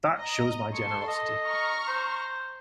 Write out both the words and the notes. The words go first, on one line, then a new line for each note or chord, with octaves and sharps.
That shows my generosity.
D#5 A#5
A4 C6 C#6
D#5
A#5 C#6 F6
C5